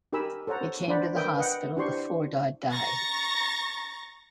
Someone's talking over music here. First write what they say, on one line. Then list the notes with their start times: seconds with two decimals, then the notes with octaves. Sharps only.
They came to the hospital before Dodd died.
0.13 D#4 G4 A#4 G#5 B5 E6
0.47 A4 C5 C#5 F#5 A#5
0.88 D4 C5 D5 F#5 B5
1.15 A#4 B4 E5 G5 D#6
1.37 B4 D#5 F#5 G5
1.76 D4 E4 G4 C5 C6 C#6
2.72 A#5 C#6 A6 A#6